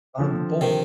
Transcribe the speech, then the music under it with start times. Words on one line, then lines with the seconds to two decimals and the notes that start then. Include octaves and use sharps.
Um, both.
0.19 D3 F3 C4
0.61 C3 D#3